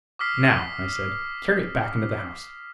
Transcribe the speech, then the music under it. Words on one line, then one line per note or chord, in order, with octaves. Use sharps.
"Now," I said, "carry it back into the house."
D6 D#6 F6 B6 C7